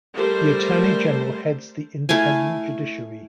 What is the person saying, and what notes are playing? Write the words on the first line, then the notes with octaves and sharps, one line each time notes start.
The Attorney General heads the independent judiciary.
G3 A3 A#4 C5
A3 E4 F5 G#5